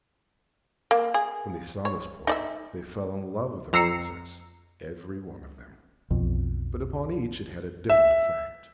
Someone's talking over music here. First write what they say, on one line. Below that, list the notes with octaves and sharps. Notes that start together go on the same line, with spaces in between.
When they saw this portrait they fell in love with the Princess--every one of them, but upon each it had a different effect.
A#3
G#4
C#5
D#4 D5 E5
F2 A#5 E6 C7 C#7
B1 F2
E5